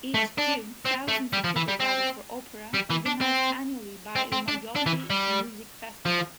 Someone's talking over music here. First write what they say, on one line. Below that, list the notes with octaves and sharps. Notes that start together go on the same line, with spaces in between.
Each June, thousands of people gather for opera, organized annually by Ilmajoki Music Festival.
A3
D4
C4
A3
G3
F3
E3
G3
C4
G3
E3
D4
C4
C4
C4
D4
D4
E3
G3
F3